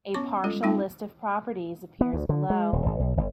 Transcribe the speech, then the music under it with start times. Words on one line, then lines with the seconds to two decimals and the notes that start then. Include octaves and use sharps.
A partial list of properties appears below.
0.14 B3 C#4 C#5 C#6 D6
0.44 G3 G#3 C#4 F4 A4
0.63 G3 G#3 C4 D#4 F4 G5
2.01 B3
2.13 D2
2.29 D3
2.50 G#3
2.73 D#1
2.86 G#1
2.99 B1
3.17 G1